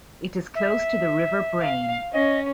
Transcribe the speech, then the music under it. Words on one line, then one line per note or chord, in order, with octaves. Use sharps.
It is close to the River Brain.
E5
F5
C#4 D#5